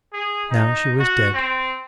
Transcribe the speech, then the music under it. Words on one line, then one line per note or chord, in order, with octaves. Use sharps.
Now she was dead.
G#4
D#4
F#4
C4